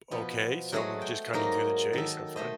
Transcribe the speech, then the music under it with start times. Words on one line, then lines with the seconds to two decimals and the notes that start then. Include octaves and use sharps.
Okay. So we're just cutting through the chase. I'm fine."
0.11 B2 F3 B3
0.72 F#3 G#3 A3 F#4 G#4 F#5
1.02 G5
1.33 G#2 F#3 A#3 D#4 A#4 C6
1.93 D#3 A4
2.36 A3 C5 D#5